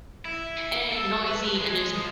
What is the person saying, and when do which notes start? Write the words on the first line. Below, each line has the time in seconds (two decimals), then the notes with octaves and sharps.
and noisy, and there's
0.25 E4
0.91 A4
1.27 B4
1.45 B4
1.56 G#3
1.96 F3